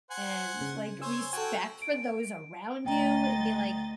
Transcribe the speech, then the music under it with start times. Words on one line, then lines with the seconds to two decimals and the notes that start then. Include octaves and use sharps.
and, like, respect for those around you and be, like,
0.10 C5 F#5 G#5
0.61 C#3
1.02 C5 C#5 G#5 E6
1.33 F#4 A4 G5 G#5
1.82 D7
2.86 D2 D#5 G5 A#5 A6